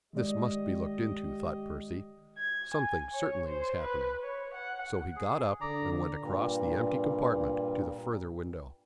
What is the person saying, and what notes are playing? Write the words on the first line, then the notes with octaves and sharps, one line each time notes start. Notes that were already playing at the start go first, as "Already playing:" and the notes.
This must be looked into, thought Percy: something certainly was happening; so he got up and went across the empty compartment to the further window.
D#3 G#3 G4 D5 D#5
G#6
G#5
C#5
C5
B4
C#5
F#5
G#4
D3 D5 A#5
G2 A#2